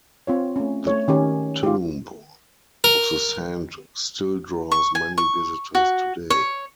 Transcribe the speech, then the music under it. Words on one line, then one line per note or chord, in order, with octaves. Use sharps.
The tomb of the saint still draws many visitors today.
C4 F4 C#5
A3 C#4
A3 C#5
D#3 C#4 G4
F4 G4
A#4
C#6
G#5
C#6
F#4
C#5